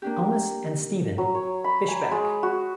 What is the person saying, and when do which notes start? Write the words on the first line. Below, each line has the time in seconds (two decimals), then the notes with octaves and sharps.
Thomas and Stephen Fishbach.
0.02 A#3 D4 G4
1.18 F#3
1.35 C#5
1.64 B5
1.88 G#5
2.11 G#3
2.43 F#4